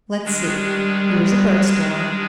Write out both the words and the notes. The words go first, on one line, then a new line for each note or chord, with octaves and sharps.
Let's see--here's a bird store.
D#3 G3 G#3 D4